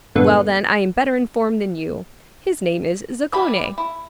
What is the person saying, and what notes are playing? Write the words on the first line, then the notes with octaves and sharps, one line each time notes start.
"Well, then, I am better informed than you; his name is Zaccone."
G2 A#2 D3 A3 B3
E3 G3 B5
E4